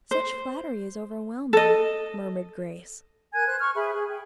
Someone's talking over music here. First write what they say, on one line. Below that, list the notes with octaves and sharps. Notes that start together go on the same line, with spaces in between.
"Such flattery is overwhelming," murmured Grace.
C5
A4 D#5
A#4 G#5 F#6 G#6
B4 C5 F#6
C#6 F6
G#4 B4 E5 B5
G#4
G5